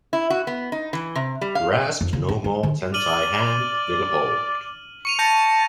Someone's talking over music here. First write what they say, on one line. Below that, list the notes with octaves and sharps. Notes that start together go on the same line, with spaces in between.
Grasp no more than thy hand will hold.
E4
F#4
B3
D#4
E3
C3
G3
F5
F2
C#3
D4
G3
D3
D5 F6 D#7 F#7
C#6 C#7 D#7 F7
A5 G6 A#6 C#7